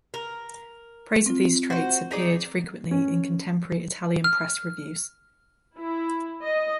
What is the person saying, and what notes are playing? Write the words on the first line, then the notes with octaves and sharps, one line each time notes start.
Praise of these traits appeared frequently in contemporary Italian press reviews.
A#4
C4 F4
F#4 C5
D#4 G#4 D5
C#4
F6
E4
D#5